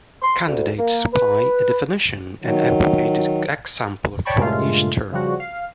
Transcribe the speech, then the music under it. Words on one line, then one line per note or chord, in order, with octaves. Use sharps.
Candidates supply a definition and an appropriate example for each term.
C6
D2
A#3
B4
D#3 F#3
C#5 D5 G5 A5 B5 C#6
G2 A#2 C#3 G#3 A3 F4
C#3 F3 G3 F#4
F5